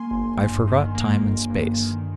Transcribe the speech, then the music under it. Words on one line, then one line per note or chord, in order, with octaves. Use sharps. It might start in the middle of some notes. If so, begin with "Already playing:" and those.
I forgot time and space.
Already playing: A#3 G#5 C6
G1
G2
D#3
A#3
G1
G2
D#3